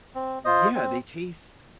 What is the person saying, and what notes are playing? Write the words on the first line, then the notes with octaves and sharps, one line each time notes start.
Yeah, they taste
C4
F4 C5 D#5
C4